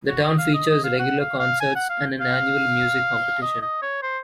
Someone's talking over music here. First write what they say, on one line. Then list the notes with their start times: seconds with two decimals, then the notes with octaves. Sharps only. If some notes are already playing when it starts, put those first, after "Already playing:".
The town features regular concerts and an annual music competition.
0.08 F#4
0.24 D#5
0.38 F5
0.54 D#5
0.69 D#5
0.84 F5
0.99 F#5
1.20 F5
1.39 F5
1.60 G#5
1.75 F#5
1.90 F5
2.21 F5
3.42 D#5
3.62 D#5
3.82 C#5
4.02 C5